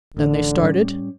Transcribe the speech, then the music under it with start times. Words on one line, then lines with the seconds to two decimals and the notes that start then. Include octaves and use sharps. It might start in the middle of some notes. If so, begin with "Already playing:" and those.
"Then they started?"
0.17 A1 D3
0.62 A2 G3 C#4